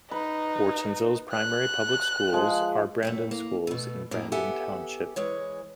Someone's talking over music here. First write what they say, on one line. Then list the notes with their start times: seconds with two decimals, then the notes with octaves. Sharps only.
Ortonville's primary public schools are Brandon Schools, in Brandon Township.
0.11 D#4 B4
1.32 F#6
2.33 F3 G#3
3.03 F#2 A2 A3
3.31 A#3
3.67 B2 A3
4.11 A2 A#3 G#4
4.32 B3 G4 A4 E5 F#5 G#5
5.16 E3 G#3 C#5